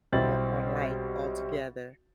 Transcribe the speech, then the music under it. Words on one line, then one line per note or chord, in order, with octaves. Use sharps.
on on life altogether.
B1 G3 C4 E4 A6 F#7